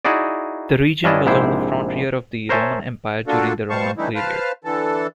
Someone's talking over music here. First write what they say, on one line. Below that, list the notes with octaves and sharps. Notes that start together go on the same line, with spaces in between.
The region was on the frontier of the Roman Empire during the Roman period.
D#4 E4 F#4 G#4 D5
G2 C#4 D4 E4 D#5 A5
A#1 G#2 C3 E4 C5
A#4 C5 C#5 E5 G#5 A5
A#3 D4 F4 F#4 A4
B2 G3 C5 F5 A5 C#6
D3 E3 G3 A3 D#4 E4
B4 C5 F5 A5 F6
D3 E3 A4